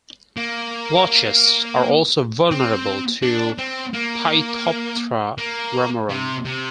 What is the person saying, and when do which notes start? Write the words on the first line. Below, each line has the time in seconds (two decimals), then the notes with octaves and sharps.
Larches are also vulnerable to "Phytophthora ramorum".
0.37 A#3
2.51 C4
3.22 D4
3.59 C4
3.94 A#3
5.38 A#3
6.09 C3
6.45 C3